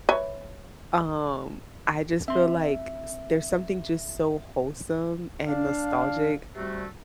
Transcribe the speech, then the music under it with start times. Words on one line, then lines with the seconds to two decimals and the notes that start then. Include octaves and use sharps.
um, I just feel like s there's something just so wholesome and nostalgic
0.09 B4 C#5 E5
2.28 C4 E5 C6
5.47 D4 F5
6.56 C3 G3 A3 F#4